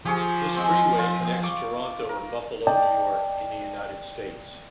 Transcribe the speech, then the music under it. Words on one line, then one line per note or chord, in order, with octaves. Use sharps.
This freeway connects Toronto and Buffalo, New York, in the United States.
F3 G4 G#4 C#6
G#3 C4
F4
G5 D#6
F5 C#6 D6
A#4
D5 D#5 G5 A5